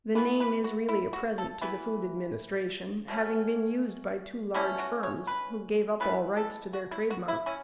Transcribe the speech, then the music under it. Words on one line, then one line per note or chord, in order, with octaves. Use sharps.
The name is really a present to the Food Administration, having been used by two large firms who gave up all rights to their trade-mark.
E3 B3 B4
B4
F#4
E4
F#4
A4
E3 B3 B4
B2 A3 C#4
B2 A3 C#4 E4
F#4
C#5
B4
C#3 E3 B3 B4
A4
F#4
E4
F#4
E4
C#4 E4